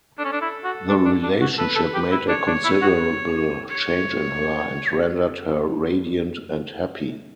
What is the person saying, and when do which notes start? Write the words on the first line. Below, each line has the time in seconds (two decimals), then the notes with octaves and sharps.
The relationship made a considerable change in her, and rendered her radiant and happy.
0.18 D4 A4
0.25 C#4
0.32 D4
0.41 E4
0.64 F#4
0.89 D4
1.05 D4
1.23 D4
1.41 F#4
1.58 A4 B4
1.76 A4
1.94 G4
2.12 E4
2.28 D4 C#5
2.47 D4
2.64 E4
2.82 F#4
3.69 C#5